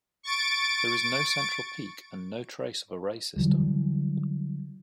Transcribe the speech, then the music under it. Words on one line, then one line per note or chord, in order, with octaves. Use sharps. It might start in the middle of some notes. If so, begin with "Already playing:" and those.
There is no central peak, and no trace of a ray system.
C#6 A6 D7
D3 E3 F#3 G3